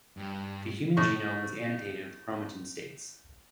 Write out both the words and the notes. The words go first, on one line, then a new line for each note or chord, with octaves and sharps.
The human genome was annotated with chromatin states.
G2
A2 C#6